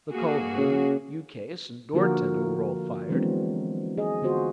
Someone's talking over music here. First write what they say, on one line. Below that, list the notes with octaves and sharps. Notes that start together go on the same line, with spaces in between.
The culverin, ukase, and door-tender were all fired.
A#3 F#4 G#4
C#3
D3 F3 A#3 F4 F#4 A#4
E3 F#3 G#3 B3 C4 D4
G#4 D#5
D3 B3 F4 F#4 C5